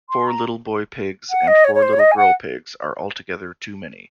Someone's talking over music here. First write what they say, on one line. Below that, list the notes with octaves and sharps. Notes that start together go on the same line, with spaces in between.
Four little boy pigs and four little girl pigs are altogether too many.
C6
A#5
F#5
D#5
C#5
C#5
C5
C#5
D#5
G#5
F#5